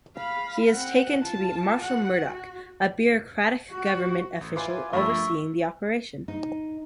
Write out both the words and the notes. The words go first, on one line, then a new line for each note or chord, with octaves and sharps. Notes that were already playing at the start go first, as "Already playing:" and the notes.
He is taken to meet Marshall Murdock, a bureaucratic government official overseeing the operation.
F5 B5
C4 F#5
F4 A5
F#4 F#5
F#4
F#4
A1
E4 F4 B4 G#5 C6 D6
G2 F3 A3 A#4 E5 B5 C#6 E6
D#4